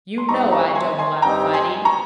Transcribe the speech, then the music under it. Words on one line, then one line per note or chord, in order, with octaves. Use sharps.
"You know I don't allow fighting."
C6
G2 G3 C4 D#4 G4 A#5 C#6
A#5 C#6
C#6
G#5 C6
G#5 C6
G2 G3 C4 D#4 G4 G5 A#5
G#5 C6
A#5 C#6